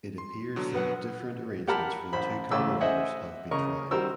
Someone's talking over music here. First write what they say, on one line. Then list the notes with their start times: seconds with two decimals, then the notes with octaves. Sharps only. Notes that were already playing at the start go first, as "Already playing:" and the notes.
It appears that different arrangements for the two carburettors have been tried.
0.18 C6
0.56 B2 D3 F#3
0.74 B3 B4 F#5
1.68 G4 A#4 F#5 A5 B5 F6
2.13 A1 C5 B5
2.51 A1 C#3 A3 D6 E6
2.80 C5 D#5 E5 F#5 G#5
3.51 C#3 A#4 D#5 C#6
3.91 D#3 G3 F#4 A#4 C5 E6